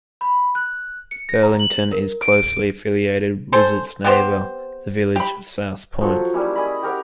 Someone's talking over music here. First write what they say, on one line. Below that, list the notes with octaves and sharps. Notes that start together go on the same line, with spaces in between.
Burlington is closely affiliated with its neighbor, the village of South Point.
B5
F#6
C#7
A#6
A#5
F#7
A#4
D7
C4 G#4 A4 C5
B3 C4 G4 C5
G4 B5
F3 F#3 A4 C#5
G3 A#3 C#4 E4
E4 G#4 D#5 B5
G4 A#4 C#5 F#5